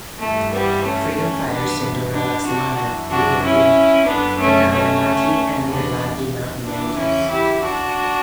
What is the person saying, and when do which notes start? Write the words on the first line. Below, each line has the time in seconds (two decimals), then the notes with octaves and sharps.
Freedom fighter Sindhoora Laxmana lived in Kadalimatti and Bilagi mountain ranges.
0.18 G2 E3 A3
0.51 G3 B3
0.83 A3 C#4
1.15 A3 C#4
1.47 G2 E3 B3 D4
2.12 B3 D4
2.44 D4 F#4
2.77 F#2 E3
3.09 D4 F#4
3.42 C#4 E4
4.06 F#2 D3 B3 D4
4.38 A3 C#4
4.71 A3 C#4
5.35 E2 C#3 E3
5.67 B3 D4
6.64 E2 C#3 E3 B3 D4
6.96 C#4 E4
7.29 E4 G4
7.62 D4 F#4